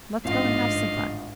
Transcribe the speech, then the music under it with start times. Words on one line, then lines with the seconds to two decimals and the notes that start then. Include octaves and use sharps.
Let's go and have some fun.
0.25 A1 G#2 D4 F4 D#5 F5 C7